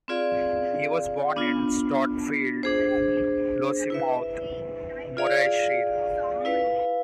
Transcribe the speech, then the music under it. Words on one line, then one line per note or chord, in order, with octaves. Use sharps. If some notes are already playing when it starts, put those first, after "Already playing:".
He was born in Stotfield, Lossiemouth, Morayshire.
C4 F4 G#4 D5 F5
B3 D4 F4
D4 G#4 C5
E4 B4 E5
F4 G#4 D5 F5
E4 B4 F5